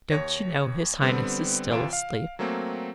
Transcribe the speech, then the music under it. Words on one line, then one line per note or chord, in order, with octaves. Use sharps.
Don't you know his highness is still asleep?'
D#2 C#5 A#6
D3 G3 B3 C4
A2 C3 E3 F4 D7 E7
F5
F#3 A3 A#3 C4